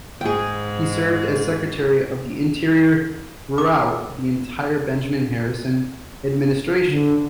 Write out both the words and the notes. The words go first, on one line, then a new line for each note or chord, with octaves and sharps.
He served as Secretary of the Interior throughout the entire Benjamin Harrison administration.
G#2 G#4 G5
D6
D3